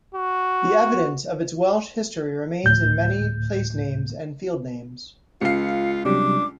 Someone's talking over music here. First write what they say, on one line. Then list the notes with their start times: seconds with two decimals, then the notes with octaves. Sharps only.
The evidence of its Welsh history remains in many placenames and field names.
0.15 F#4
2.64 D2 A2 G6
5.41 C#2 F4 F5 C7 C#7
6.05 C3 F#3 G3 D4 D6